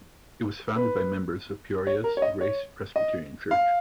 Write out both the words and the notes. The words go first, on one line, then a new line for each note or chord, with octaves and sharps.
It was founded by members of Peoria's Grace Presbyterian Church.
B4
C#5
A#4
C#5
D#5
C#5
D#5
F5